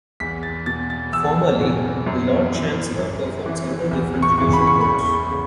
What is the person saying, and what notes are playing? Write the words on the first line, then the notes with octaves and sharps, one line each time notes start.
Formerly, the Lord Chancellor performed several different judicial roles.
E2 B6
A6
B2 A6
A6
E2 E6
B2
F#2
E3
F#2
E3
E2
C#6
C#3 E3
B5
C#6
E2 B5
C#3